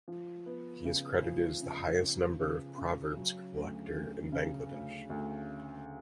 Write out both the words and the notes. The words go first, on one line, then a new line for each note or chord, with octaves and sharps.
He is credited as the highest number of proverbs collector in Bangladesh.
F3
B3
C#3
F3
C#3
C#3
C#3
C#3
F#3
D2
D2
C#3
D2
D2